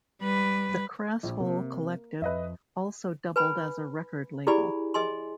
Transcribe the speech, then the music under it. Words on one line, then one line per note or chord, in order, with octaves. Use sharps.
The Crasshole Collective also doubled as a record label.
G3 B4
A#1
C3 A#3
F2 B4 D#5 E5
B4 G#5 B5
E4 G4 G#4 D5 G#5 B5
G#4 D#5 G#5 C6